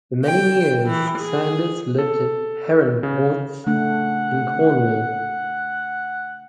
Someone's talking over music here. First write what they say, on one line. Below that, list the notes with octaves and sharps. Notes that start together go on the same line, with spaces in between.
For many years Sanders lived at Perranporth in Cornwall.
G5
E3
G#4
A4
C#3
C#3 A3 D4 F#5